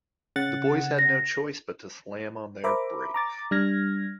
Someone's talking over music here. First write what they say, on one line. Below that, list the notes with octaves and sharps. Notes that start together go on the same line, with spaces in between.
The boys had no choice but to slam on their brakes.
C#3 F#5 A6
A#6
A#4 C5 E5 A#5 B5 D6
A#5 D6 A6
G3 D4 F6 G#6 A#6